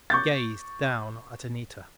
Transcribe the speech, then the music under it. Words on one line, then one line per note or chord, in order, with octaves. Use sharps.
He gazed down at Anita.
C#6 D6 G6 A6